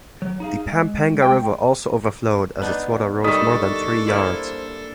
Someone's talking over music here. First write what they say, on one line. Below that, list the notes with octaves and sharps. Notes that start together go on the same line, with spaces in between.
The Pampanga River also overflowed as its water rose more than three yards.
F#3
D#4 G#4 F5
G#3
G5
B3 D4 D#4
D#3 G3 D4 A4 C#6 D#6 B6
A#3 E4 C5 D5